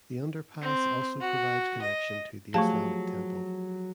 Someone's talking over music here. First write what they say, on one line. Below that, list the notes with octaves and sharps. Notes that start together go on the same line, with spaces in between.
The underpass also provides connection to the Islamic Temple.
C4
F#4
D#5
F3 F#3 A3 G4 G#4 F5 A5 C#6